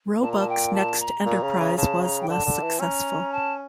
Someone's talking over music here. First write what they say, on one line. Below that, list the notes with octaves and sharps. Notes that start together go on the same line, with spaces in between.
Roebuck's next enterprise was less successful.
A#2 A5
A#5
A5
G5
A5
A#5
A#2
C#3
C#3
A#5
C#3 A5
A#5
G5
D3 A5
D3
E3
C#4 A#5
A5